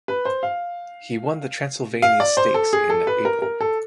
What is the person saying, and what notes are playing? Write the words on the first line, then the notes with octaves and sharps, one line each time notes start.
He won the Transylvania Stakes in April.
B4
C5
F5
F5
D5
C5
A4
G#4
A4
B4
A#4
A#4
A4